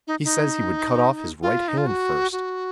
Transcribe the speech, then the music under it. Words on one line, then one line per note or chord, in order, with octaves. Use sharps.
"He says he would cut off his right hand first."
D#4
D#4
F4
D#4
F4
F#4
F#4